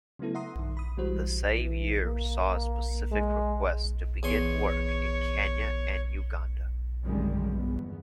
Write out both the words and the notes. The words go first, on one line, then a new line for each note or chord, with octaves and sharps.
The same year saw a specific request to begin work in Kenya and Uganda.
C#3 F#3 A3 B3 E4 A4
E5 F#5 A#5 C6 D#6
G2 D#3
B5 D#6
E3 G3 G#3 F#4 C5
E3
A#3
G#3
E2 C#5 G#5 C6
G#1 F#2 D3 D#3 G3 G#3
G1 E2 B3